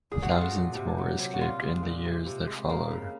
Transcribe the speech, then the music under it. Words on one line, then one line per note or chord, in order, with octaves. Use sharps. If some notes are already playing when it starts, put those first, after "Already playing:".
Thousands more escaped in the years that followed.
A#2 G#4
F#4
G#3 F4
F#4
A#2
C3
F#3
C3
F#4
A#2 F4
G#3
A#2
C3
C3
G#3
C#3 A#3
C#3